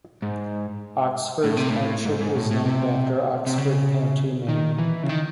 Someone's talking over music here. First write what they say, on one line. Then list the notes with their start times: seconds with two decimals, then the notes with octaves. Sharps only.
Oxford Township was named after Oxford County, Maine.
0.22 G#2
1.44 A2
1.57 C3
1.70 A2
2.05 G#2
2.20 G#2
2.36 A2
2.51 A2
2.66 C3
3.47 C3
3.58 C#3
4.49 D#3
4.79 E3
5.03 C#3
5.09 D#3